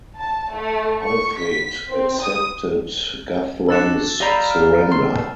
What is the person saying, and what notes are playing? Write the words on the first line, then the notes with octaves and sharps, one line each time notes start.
Alfred accepted Guthrum's surrender.
A5
A3
C#6
B6
C4
D#6
D4 F#4 A4 E6 A6 E7
G4 D5 D#5 F5 A#5 B5
F6
C6